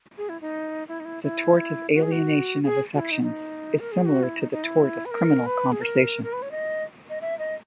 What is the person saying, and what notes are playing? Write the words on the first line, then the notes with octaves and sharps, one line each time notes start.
The tort of alienation of affections is similar to the tort of criminal conversation.
G#4
E4
D#4
E4
D#4
E4
E4
F#4
G#4
F#4
G#4
F#4
E4
D#4
D#4
A#4
G#4
F#4
E4
D#4
D#4
E4
B4
A#4
B4
G#4
A#4
A#4
B4
C#5
D#5
D#5
E5
D#5